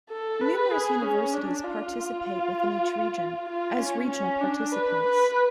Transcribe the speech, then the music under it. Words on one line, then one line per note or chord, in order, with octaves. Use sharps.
Numerous universities participate within each region as regional participants.
A4
B4
G#4
C#4
D4
F4
F4
C#4
C#4
D4
B4
B4